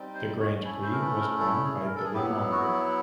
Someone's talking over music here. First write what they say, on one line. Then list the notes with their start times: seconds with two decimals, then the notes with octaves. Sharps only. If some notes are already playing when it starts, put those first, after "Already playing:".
The Grand Prix was won by Billy Monger.
Already playing: G3 C4 D#4
0.15 C5
0.39 C#5
0.64 A3 C#4 E4 C#5
0.82 C5
0.92 A#4
1.01 B4
1.20 A#4
1.39 A4
1.64 G#4
1.86 A#4
1.95 A4
2.05 G#4
2.14 F#3 B3 E4 G4
2.52 F#4